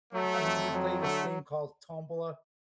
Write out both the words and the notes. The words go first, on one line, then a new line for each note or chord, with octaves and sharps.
I mean, we play this game called Tombola,
F#3 A3
F2
F#3
D3 A3